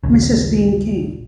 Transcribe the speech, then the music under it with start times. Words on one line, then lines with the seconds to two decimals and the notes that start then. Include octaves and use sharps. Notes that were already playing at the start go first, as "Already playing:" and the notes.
Mrs. Dean came.
0.04 A#1 D#2 C#3